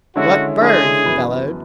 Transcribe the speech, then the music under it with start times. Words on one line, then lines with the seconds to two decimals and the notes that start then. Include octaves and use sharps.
"What bird?" he bellowed.
0.16 D3 G#3 C#4 E4 F#4
0.60 D3 G#3 C#4 E4 G#4
1.05 F#2 E3 B3 F#4 B4